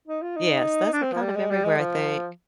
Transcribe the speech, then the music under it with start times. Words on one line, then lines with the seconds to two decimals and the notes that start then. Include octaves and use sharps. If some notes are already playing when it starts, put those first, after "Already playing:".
Yes, those are kind of everywhere, I think.
0.08 D#4
0.22 F4
0.36 D#4
0.93 D4
1.02 C4
1.12 F3
1.21 G3
1.35 G#3
1.50 G3
1.64 G#3
1.78 F3